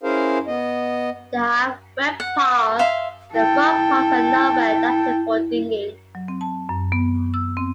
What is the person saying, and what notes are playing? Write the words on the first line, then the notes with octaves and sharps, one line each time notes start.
They have webbed paws and their front paws are not well adapted for digging.
C#4 E4 G#4 A#4 C5 F5
B3 D#5
F#5
E5 F5 C6
E4 A4 G5
F#3
C4
A5
F#2
B3
E6
C4